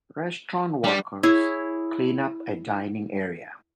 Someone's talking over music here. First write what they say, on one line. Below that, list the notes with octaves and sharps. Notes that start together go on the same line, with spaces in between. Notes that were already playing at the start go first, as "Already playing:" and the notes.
Restaurant workers clean up a dining area.
G3 D4 B4
E4 G#4 C#5